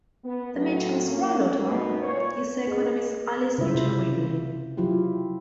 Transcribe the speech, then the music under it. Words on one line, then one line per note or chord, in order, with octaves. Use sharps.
The Mitchells' granddaughter is the economist Alice Mitchell Rivlin.
B3
A2 F#3
A#3 C#4
F#2 B2 B3 D#4
A#2 C5 C#5
G#4 D#5
C#3 E4 F4 C5 E5
C3
F3 F#3 E4 F4 G4